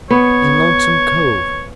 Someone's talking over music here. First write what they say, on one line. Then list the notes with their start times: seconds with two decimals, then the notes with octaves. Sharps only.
"In Lonesome Cove."
0.11 B3 C#5